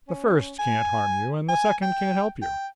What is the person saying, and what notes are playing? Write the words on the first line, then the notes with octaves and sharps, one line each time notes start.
The first can't harm you and the second can't help you.
C#4
G#5
G#5
G5
G5